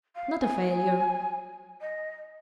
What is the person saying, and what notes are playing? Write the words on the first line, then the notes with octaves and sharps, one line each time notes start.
'Not a failure.
F5
G#5
D#5